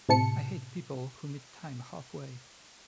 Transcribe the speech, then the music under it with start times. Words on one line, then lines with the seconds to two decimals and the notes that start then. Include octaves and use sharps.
I hate people who meet time halfway.
0.09 A2 C3 A5 C#7